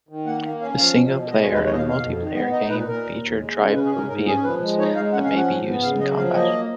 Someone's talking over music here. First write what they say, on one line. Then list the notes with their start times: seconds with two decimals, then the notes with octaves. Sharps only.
The single-player and multi-player game feature drivable vehicles that may be used in combat.
0.09 D#3
0.26 A#3 F#5
0.43 A#3
0.60 C#4 F5
0.78 F3 F5
0.96 B2
1.13 B2
1.30 G#3 D#5
1.42 C#5
1.48 D#2
1.54 B4
1.65 B2 C#5
1.72 D#5
1.77 F5
1.82 B2
1.88 F5
2.00 F2
2.17 D#3
2.35 B3 D#5
2.52 D#4 D#5
2.69 A#2 B4
2.87 A#2 A#4
3.05 D#2
3.21 D#2
3.39 G#3
3.56 C#3
3.74 C#4 B4
3.86 G#4
3.92 G#2
3.98 A#4
4.09 G#2 A#4
4.26 C#4 G#4
4.44 F3 B4
4.61 G#3
4.78 D#4 C#5
4.96 G#3 F5
5.13 C#4 F#5
5.25 F5
5.30 F3
5.36 F#5
5.48 G#2
5.66 B3
5.82 C#3 F5
6.00 F#3 D#5
6.18 F3 F5
6.35 A#3 D#5